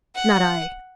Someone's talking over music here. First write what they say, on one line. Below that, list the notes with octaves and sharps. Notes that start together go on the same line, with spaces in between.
"Not I."
F#5